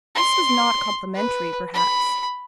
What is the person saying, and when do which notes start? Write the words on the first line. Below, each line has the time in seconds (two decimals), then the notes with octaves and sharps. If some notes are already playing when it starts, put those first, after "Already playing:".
This was not complimentary, perhaps.
0.15 C6
1.15 B4
1.74 B5